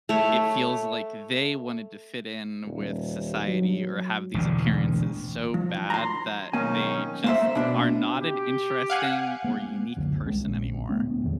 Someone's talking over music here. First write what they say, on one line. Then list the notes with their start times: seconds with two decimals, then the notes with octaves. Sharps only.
it feels like they wanted to fit in with society, or have these appearances so bad that they just are not an interesting, or unique person anymore.
0.09 A3 C#5
2.65 D#1
3.47 F#3
4.34 E1 A1 D2 D3
5.54 F3
5.90 A#5 C6
6.53 B1 D#3 A#3 C#4 D#4 G#5
7.24 A#3 C5 E5
7.55 B2 D4
8.17 G4
8.90 F5 F#5 G#5
9.44 A#3 C4
9.96 F#1 C#2 D3 F#3
10.26 C2 G#3 C#4
10.47 A#1
10.89 D1 A3 B3 C#4
11.24 E2 D#3 F#3